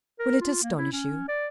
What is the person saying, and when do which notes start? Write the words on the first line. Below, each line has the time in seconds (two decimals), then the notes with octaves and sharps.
Will it astonish you?
0.20 A#4
0.41 F4
0.63 A#3
0.78 E4
0.92 C#4
1.28 D5